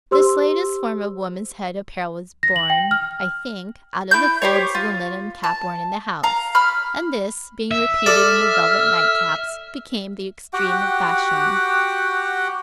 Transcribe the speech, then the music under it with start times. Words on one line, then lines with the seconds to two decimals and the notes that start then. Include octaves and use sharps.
This latest form of woman's head apparel was born, I think, out of the folds of the linen cap worn in the house, and this, being repeated in the velvet night-caps, became the extreme of fashion.
0.11 G4 C5 C6 E6
2.43 A#6
2.56 F#7
2.70 G5
2.91 F6
4.11 E4 E6 G6
4.42 G4 C5 C#5
4.75 F4
5.44 A5
6.24 F5 A#5
6.55 B5 F6
7.71 E5
8.06 A4 D5 F6
10.53 F#4 G4 F#5 G5